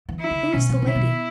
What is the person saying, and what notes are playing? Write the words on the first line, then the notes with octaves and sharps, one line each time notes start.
"Who is the lady?"
E3
E4
C#3
B2 C#4
E3
C#3 E4
B2